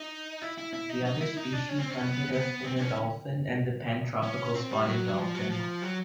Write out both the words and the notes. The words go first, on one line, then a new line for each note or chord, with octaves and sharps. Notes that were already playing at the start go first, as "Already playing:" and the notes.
The other species hunted are Spinner Dolphin and the Pantropical Spotted Dolphin.
Already playing: D#4
E4
E4
E4
D#4
D#4
E4
D#4
D4
C#4
C4
C#4
B3
B3
C4
C4
C#4
C#4
C4
G3
F#3
F3
F#3
F3
F#3